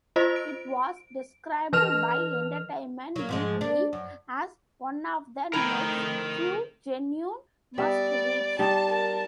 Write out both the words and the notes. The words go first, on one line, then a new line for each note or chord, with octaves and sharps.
It was described by "Entertainment Weekly" as one of the Net's "few genuine must-reads".
F4 C5 D#5
D7
E3 B4 F6 F7
F#3 A#3
G#2 F3 G#3
D4
F#2
A3 C4 D#4 E4 A#4 G5 A#5
G3 B3 D5 E5
G3 D#4 D5 A5
A#4 A5